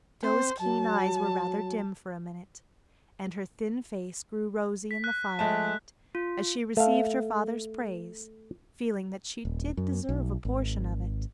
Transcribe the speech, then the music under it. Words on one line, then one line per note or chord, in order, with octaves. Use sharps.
Jo's keen eyes were rather dim for a minute, and her thin face grew rosy in the firelight as she received her father's praise, feeling that she did deserve a portion of it.
C4 C5
F#3 A5
B6
F#6
G#3 A3 A5
F4
A3 F5
D#1
F#2
B1
G#1